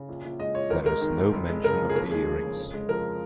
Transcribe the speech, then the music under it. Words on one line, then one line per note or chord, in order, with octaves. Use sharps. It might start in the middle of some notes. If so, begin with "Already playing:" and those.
There is no mention of the earrings.
Already playing: C#3
A#1
A#1
G#3 D#5
A#2 C#5
G#1 A#4
G#3 A#4
D#3
G#2
F1
G#3
C#3 A#4
F2
G#4
D#2 A#4
G#3 G#4
F3 G#4
C#3
F1
G#3
F3 A#4